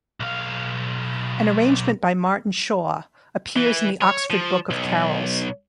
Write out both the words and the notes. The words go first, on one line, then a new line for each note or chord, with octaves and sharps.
An arrangement by Martin Shaw appears in the "Oxford Book of Carols".
B1 F5
E3
C#5
F3
B1